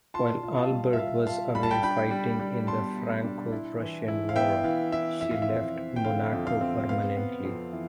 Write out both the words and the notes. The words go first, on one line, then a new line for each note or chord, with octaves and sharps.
While Albert was away fighting in the Franco-Prussian war, she left Monaco permanently.
F4 A5 C6
F4
F5 A5
G3
E5
F4 F5
F4 F5 A5
G3 B5
A5
G5 B5
D4 G5 B5
G3
G3
B2 A5 C6
B2
D4
E4
E3
E4
F5
B3 E5 G5
E3 F5
E4 E5
F2 E5
F5
E5
C4
C4
G5
D3 F5
F2
F5
C4
B3 F5
B3
F2
E3